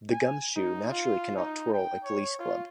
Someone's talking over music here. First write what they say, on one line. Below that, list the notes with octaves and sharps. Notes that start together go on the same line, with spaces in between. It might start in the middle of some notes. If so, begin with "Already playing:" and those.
The gumshoe naturally cannot twirl a police club.
G#5
D#4
F4
D#4
G5
C#5
F4